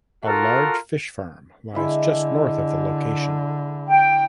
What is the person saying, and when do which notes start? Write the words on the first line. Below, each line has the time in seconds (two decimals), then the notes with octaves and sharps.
A large fish farm lies just north of the location.
0.25 F4 F#4 A4 A#4
1.75 D3 G#3 E4 E5
3.89 G5